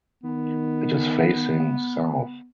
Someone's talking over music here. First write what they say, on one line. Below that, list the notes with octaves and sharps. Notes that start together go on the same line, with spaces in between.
It is facing south.
D#3 B3